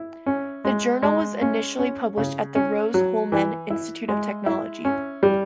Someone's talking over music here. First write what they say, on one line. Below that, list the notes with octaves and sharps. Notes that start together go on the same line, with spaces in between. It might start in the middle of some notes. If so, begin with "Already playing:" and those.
The journal was initially published at the Rose-Hulman Institute of Technology.
Already playing: E4
C#4
G#3
G#3
C#4
C#4
C#3
C#4
F#3
E3
E4
G#3
E4
C#4
G3